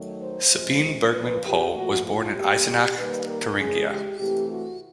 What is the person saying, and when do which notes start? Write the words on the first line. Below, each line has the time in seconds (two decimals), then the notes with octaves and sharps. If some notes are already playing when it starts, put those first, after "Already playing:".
Sabine Bergmann-Pohl was born in Eisenach, Thuringia.
Already playing: D#3 F#3 A3
0.21 C5
0.52 C3 F3 G#3
1.13 A#2 F3 A#3 B4
1.43 G4
1.74 A#2 F3 A3 F#4
2.04 F4
2.35 A#2 G3 A#3 G4
2.65 G4
2.95 D#3 G3 A#3 B4
3.27 A#4
3.56 C#3 E3 G#3 G#4
3.87 G4
4.18 C3 E3 A3 G4
4.48 F#4